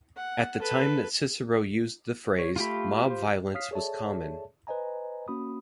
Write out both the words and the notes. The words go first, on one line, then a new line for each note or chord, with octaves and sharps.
At the time that Cicero used the phrase, mob violence was common.
F#5
A4 B4
C#5
A3 F4 G4 B5
C5
C#5 F5 D#6 F6 B6 C7
G#4 A4 C#5 D5 E5 A5
B4 C5 D#5 G#5 A#5
A#3 C#4 F#4 B5 D#6